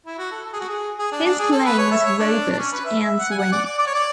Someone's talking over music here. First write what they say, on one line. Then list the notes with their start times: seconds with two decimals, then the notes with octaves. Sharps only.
His playing was robust and swinging.
0.06 E4
0.18 F#4
0.31 A4
0.45 A4
0.53 G#4
0.60 F#4
0.68 G#4
0.99 G#4
1.12 D4
1.25 D4
1.39 G#4
1.52 A4
1.65 B4
1.78 C#5
1.91 E5
2.05 C#5
2.19 D4
2.51 D4
2.59 C#4
2.72 B4
2.85 E5
2.99 E5
3.18 F#5
3.31 G#5
3.38 F#5
3.52 D5
3.65 D5
3.78 D5
3.87 C#5
3.94 D5